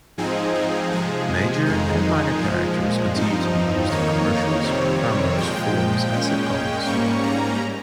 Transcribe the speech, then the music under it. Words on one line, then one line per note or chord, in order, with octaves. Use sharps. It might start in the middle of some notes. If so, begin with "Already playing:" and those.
Major and minor characters continue to be used in commercials, promos, films and sitcoms.
G#2 F3 C4 D#4 G#4
G#4
C3 F3 G#3 G#4
F2 D#3 G#3 D#4
A#2 F3 G#3
G2 F3 C4 D#4
F2 D#3 A#3 D#4 C#5
F2 C3 D#3 G3 C4
A#2 F3 G#3 G5
A#2 G#3 C#4
G#2 G3 A#3 C#4 C#6
A#5